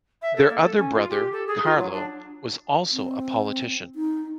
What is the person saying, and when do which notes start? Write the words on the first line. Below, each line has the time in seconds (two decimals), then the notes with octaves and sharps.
Their other brother, Carlo, was also a politician.
0.22 E5
0.36 A4
0.49 A#3
0.62 A4
0.77 C#4
0.93 F4
1.10 G4
1.32 A4
1.47 G#4
1.64 F4
1.78 F#3
1.93 D4
2.93 C4
3.95 D#4